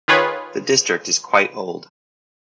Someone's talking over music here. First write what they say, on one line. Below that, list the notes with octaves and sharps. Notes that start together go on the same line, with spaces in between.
The district is quite old.
D#3 F4 G#4 B4 C#5